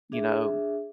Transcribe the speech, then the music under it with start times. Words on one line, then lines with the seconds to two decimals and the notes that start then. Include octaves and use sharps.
you know,
0.12 D4 G#4 E5